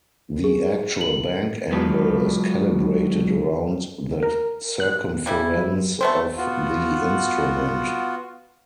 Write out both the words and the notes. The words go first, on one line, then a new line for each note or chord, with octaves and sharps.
The actual bank angle is calibrated around the circumference of the instrument.
G#4
F#7
F#3 G#3 F4 A4 B4
A#4
F#6
C#3 G3 E4
F#3
A3 B3 C4 C5
B3 F4 F#4